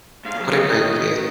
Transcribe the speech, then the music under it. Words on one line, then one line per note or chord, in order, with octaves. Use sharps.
What a great kid.
G#2 F5
F#3
D#3 D#5